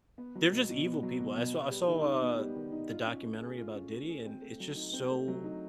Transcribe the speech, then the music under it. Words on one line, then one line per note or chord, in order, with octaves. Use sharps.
They're just evil people, I saw I saw, uh, the documentary about Diddy, and it's just so
B3
F#3
B2
B2
B3
F#3
B2
B2
B3
G3
D#3
D#4
B3
G3
D#3
D#4
F4
C#4
A3
G#4
F4
C#4
A3
G#4
C4
A3
F#3
D#4
C4
A3
F#3
D#4